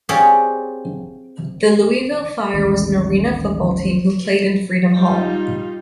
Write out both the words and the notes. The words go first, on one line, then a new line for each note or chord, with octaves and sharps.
The Louisville Fire was an Arena Football team who played in Freedom Hall.
C4 F4 G4 G#4 C#5 D5
A1 D#2 G#3
G3 D#4 F4